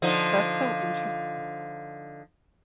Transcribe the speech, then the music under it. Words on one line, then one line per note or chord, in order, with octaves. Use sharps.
That's so interesting.
D3 F3 D#4